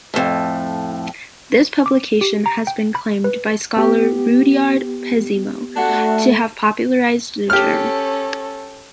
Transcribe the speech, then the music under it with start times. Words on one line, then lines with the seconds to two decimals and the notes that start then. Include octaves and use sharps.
This publication has been claimed by scholar Rudyard Pesimo to have popularized the term.
0.14 F2 A2
1.86 D6
2.21 G4
2.46 A#5
2.67 G5
2.95 B5
3.24 B4
3.77 B3 G4
5.77 A3 D4 F#4
7.50 C#4 G4 A4 F6